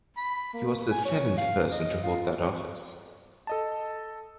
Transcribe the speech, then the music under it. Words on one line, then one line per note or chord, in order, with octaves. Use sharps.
He was the seventh person to hold that office.
B5
A#3
G#5
C#5
F5
D#5
F4
C4
A4 D#5 A5